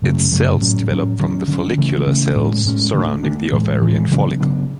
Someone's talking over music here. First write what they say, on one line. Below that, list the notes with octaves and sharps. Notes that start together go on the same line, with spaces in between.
Its cells develop from the follicular cells surrounding the ovarian follicle.
F#2 C#3 F#3 A3
F#2 C#3 F#3 A3
A2 F#3 C#4
A2 F#3 C#4
D3 F#3 C#4
D3 F#3 C#4
C#3 E3 A3
C#3 E3 A3
A2 G#3 C#4
A2 G#3 C#4
D3 A3 D4
D3 A3 D4
A2 E3 G#3
A2 E3 G#3
C#3 F#3 B3 D4
C#3 F#3 B3 D4